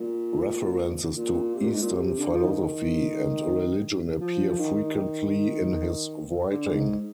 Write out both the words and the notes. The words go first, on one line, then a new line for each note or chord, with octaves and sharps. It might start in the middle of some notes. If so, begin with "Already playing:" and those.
References to Eastern philosophy and religion appear frequently in his writing.
Already playing: A#2
A#2
C3
A#2
G#2
A#2
C3
D3
F3
D#3
F3
D#3
D#3
D3
G#2